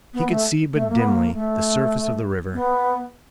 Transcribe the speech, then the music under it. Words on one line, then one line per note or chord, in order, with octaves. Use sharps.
He could see but dimly the surface of the river.
B3
A3
A3
A#3
B3
A#3
A3
B3